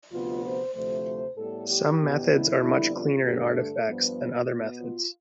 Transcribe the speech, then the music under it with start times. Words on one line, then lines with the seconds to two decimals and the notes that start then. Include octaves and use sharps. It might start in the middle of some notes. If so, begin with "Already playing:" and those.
Some methods are much cleaner in artifacts than other methods.
0.13 D2 C3 F3 B3 F4
0.44 C5
0.75 D2 C3 F3 A3 C5
1.36 A2 G3 B3 A4
1.68 G4
1.99 E2 B2 B3
2.30 E4
2.61 F2 D3 G3 B3 E4
2.93 F4
3.23 G2 D3 A3 G4
3.54 A4
3.85 G2 F3 B3
4.48 B2 B3
4.80 F4